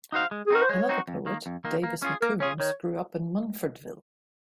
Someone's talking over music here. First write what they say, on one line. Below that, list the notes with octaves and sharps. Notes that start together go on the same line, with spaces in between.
Another poet, Davis McCombs, grew up in Munfordville.
D#4 F#4 C5 F5
G#3
G#4
C4 D#4 F#4 A#4
C5
G#3 C#5
C4 D#4 F#4
F2
D#3 A#3
F2
D#3 A#3
A#3
C#4 F4 G#4
A#3 A#4
C#4 F4 G#4 C#5
D#3 C#5